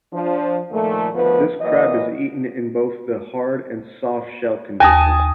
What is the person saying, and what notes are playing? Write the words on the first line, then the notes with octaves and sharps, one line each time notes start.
This crab is eaten in both the hard and soft shell condition.
F3 D4
A#2 D#3 F3 A3
D2 D#3 F3 B3 B4
E3 F#3 A#3 D#5
D#2 G#5 A5 D#6 A#6